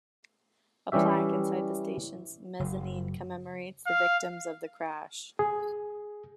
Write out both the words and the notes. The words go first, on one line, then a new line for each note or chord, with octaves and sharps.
A plaque inside the station's mezzanine commemorates the victims of the crash.
E3 G3 C#4 G4 E5
F#1
F5
G#4